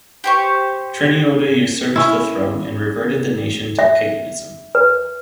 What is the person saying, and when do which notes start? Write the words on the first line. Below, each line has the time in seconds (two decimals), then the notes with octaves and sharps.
Treniota usurped the throne and reverted the nation to paganism.
0.24 G4 C5 C#6
1.96 C#4 E4
3.79 E5
4.75 B4